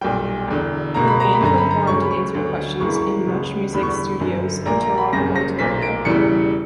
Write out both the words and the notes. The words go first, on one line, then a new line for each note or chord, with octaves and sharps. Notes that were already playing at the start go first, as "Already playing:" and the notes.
The band performed and answered questions in MuchMusic's studios in Toronto, Ontario.
B1 A#2 G3 G5
E1 E2 D3
C#2 B2 A#3 A#5
B5
A#5
B5
G1 F#2 D3 A#5
B5
A#5
D2 C#3 F#3 C#6
B5
C#6
D2 D3 F#3 B3
C#2 C#3 E3 A#3 C#6
B5
C#6
C#2 C#3 F#3 B3
E1 E2 D3 G3 B3 B5
C#6
B5
G1 F#2 D3
A#1 A#2 A#3 A#5
A#5
B5
F#1 F#2 C#3 G3 A#6
A#6
B1 A#2 A#3 B6
D7
E1 E2 C#3 E3 G3 C#7